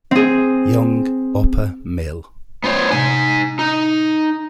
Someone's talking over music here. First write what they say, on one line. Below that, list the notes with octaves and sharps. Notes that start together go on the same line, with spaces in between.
Young upper mill.
C4 G#4
B3 F4 C5 C#5
A2 C3 D#4 G#5
D#4